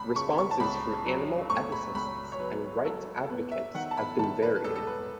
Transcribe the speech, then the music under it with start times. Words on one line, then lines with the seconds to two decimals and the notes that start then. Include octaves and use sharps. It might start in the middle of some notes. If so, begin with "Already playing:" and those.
Responses from animal ethicists and rights advocates have been varied.
Already playing: C#2 A5 B5
0.15 C#3 C#6
0.38 C#6
0.51 A5
0.60 C#2 B5
1.05 F#3
1.50 A3 C#6
1.72 B5
1.95 C#2 B5
2.32 C#5
2.39 F#3 B4
2.85 F#3 A4
3.24 A4
3.30 E2 B4
3.52 E5
3.75 D#3 F#5
3.91 A5
3.97 B5
4.19 D#3 A5
4.42 B4
4.64 E1 A4
4.76 A4
4.87 B4